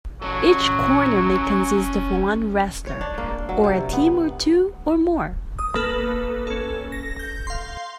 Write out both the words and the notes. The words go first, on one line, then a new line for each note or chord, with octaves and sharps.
Each corner may consist of one wrestler, or a team of two or more.
F#3 C#4 A4
C#5
D4
A#3
F#3
C3
B3
D#6
A#3 A4 B4
C#4 A4
A#6
G6
F5 C6